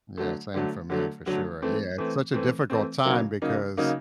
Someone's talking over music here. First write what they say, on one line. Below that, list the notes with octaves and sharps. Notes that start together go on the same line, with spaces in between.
yeah, same for me, for sure, yeah. It's such a difficult time because
D3 F#3 A3
D3 F#3 A3
D3 F#3 A3
D3 F#3 A3
E3 A3 C4
E3 A3 C4
E3 A3 C4
E3 A3 C4
C#3 F#3 A#3 D#4
C#3 F#3 A#3 D#4
C#3 F#3 A#3 D#4